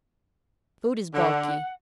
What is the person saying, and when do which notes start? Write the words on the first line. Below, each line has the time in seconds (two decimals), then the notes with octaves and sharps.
Food is bulky.
1.14 D3 F#5